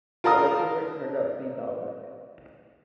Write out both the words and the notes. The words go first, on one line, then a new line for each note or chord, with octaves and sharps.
But her favourite turns out to be Balzac.
F4 A#4 A5 A#5 D#6 F6